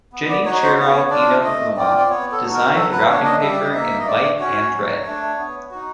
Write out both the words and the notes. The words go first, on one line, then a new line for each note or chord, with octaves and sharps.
Genichiro Inokuma designed the wrapping paper in white and red.
B3
D5
D#4 F#4 C#5
C#5
C5
B3 C#5
D4 F4 D5
A3 D#5
C4 F4 D5
D5
B3 C#5
A4
D#4 F#4
A#4
F#3 A4
B4
A#3 D4 C#5
D#5
G3 E5
D5
D#5
A#3 D#4 E5
D#5
A3 D5
C#4 F#4 C#5
F#3
A3 D4
B3
D#4 F#4